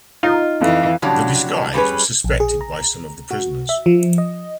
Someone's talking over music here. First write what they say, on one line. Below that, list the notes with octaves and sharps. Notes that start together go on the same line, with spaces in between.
The disguise was suspected by some of the prisoners.
D#4 F4
F2 E3 F5
F2 A2 C#3 F#3 D4 G4
G3 C#4 G#4 B4
A#1
G#4
A#5
F#4
E5
F3
D#5